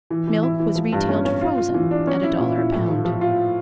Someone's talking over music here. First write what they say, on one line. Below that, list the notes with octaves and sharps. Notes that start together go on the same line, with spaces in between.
Milk was retailed frozen at a dollar a pound.
E3
E3
E4
E3
F3
G2
C#4
C#4
F4
F4
E3
D4
C#4
E4
A#2
E4
A2
F3
F3
F4